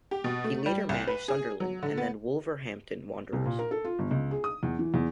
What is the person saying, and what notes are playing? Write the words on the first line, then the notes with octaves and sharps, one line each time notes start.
He later managed Sunderland, and then Wolverhampton Wanderers.
G4
B2
A3
G3
C2
B4
G#4
F#3
D3
B3
C2
A#2
A#4
A4
F4
G1
C#2
G#4
D#6
E2
E3
E2